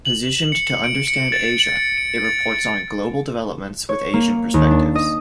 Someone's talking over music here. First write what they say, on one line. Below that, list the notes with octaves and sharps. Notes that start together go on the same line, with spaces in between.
Positioned to "Understand Asia", it reports on global developments with Asian perspectives.
F#7
C#7
D7
C#7
A6
D7
C#7
D7
A6
C#5
A#3
D#2
D4
D#5